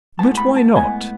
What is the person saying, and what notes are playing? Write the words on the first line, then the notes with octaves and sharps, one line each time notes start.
"But why not?"
A2 G#3 B3 A5
B5
A5
A2 G#3 B3 G#5